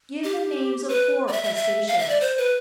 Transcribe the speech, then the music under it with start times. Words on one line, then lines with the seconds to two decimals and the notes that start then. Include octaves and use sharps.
Give the names of four crustaceans.
0.24 G4
0.89 B4
1.28 D5
1.32 E5
1.44 E5
1.55 E5
1.88 F5
1.99 E5
2.09 D5
2.21 C5
2.37 B4